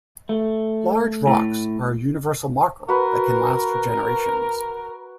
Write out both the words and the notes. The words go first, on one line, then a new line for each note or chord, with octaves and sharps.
Large rocks are a universal marker that can last for generations.
A3
A2
F#4 A#4 B4